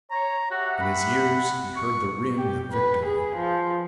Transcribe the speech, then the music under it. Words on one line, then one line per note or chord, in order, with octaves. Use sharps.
In his ears, he heard the ring of victory.
C#5 A#5
F#4 G4 E5 F#5
B5
C#6
G4
B4
G#4
F3